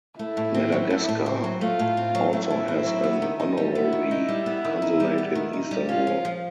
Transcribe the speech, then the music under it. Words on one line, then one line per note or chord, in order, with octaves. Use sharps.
Madagascar also has an honorary consulate in Istanbul.
A3 E4
A2
C4
F#3
A3
A2
C4
F#3
A3 F4
A2
C4
F#3
A3 E4
A2
C4
F#3
B3
D#3
D#4
G3
B3 E4
D#3
D#4
G3
B3
D#3
D#4
G3
B3
D#3
D#4
G3
C#4 F4
F3
F3